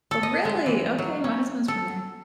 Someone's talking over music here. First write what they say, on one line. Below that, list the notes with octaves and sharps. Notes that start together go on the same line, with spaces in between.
Really? Okay, my husband's from there.
A4
D#5
G#3
E3
F#3
C#4
A4